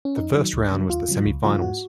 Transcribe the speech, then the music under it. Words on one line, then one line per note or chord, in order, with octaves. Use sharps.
The first round was the semifinals.
C#4
F2 D#4
D#3 F#3
C#2
C#3 F#3
D#2 F4
C#3 F#3
C#2
C#3 F#3 F4
G#2 F#4